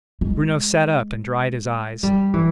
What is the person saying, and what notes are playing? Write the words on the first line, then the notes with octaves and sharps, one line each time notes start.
Bruno sat up and dried his eyes.
G#3
G3
E3